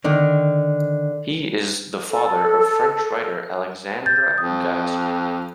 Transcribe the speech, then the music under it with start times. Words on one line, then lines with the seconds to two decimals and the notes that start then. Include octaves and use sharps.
He is the father of French writer Alexandra Geyser.
0.04 D3 D#3
2.10 A4
4.06 G6 A6
4.38 F2 D#6